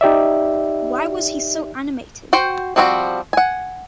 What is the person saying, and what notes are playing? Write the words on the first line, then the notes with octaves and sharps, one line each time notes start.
Why was he so animated?
D#4 G4 D5 E5
F#4 C5 G5
F3 G3 C4 D#4 F#4
F#5 G#5